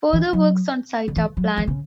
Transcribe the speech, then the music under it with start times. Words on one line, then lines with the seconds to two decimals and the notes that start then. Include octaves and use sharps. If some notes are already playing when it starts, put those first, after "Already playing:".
Further works on site are planned.
0.13 E3
0.33 F#3
1.08 D3
1.16 E3
1.37 F#3
1.57 E3
1.67 C#3